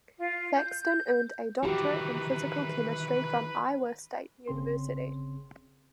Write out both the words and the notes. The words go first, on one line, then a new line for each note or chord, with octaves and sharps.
Thaxton earned a doctorate in physical chemistry from Iowa State University.
F4
G6
D#3 E3 F#4 G4 B4
G1 C#3 C4 C6